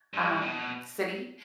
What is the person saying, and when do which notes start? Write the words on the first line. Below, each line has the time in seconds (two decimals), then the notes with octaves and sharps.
um, city.
0.14 G2
0.42 B2